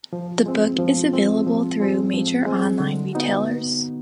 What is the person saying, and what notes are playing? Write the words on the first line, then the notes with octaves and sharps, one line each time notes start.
The book is available through major online retailers.
F3
G#3 C4
F3
G#3 C4
F3
G#3 C4
F3
G#3 C4
D3
B3 D#4 F#4